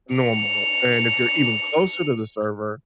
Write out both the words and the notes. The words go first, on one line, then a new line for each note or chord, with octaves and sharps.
normal and if you're even closer to the server
C#7 F7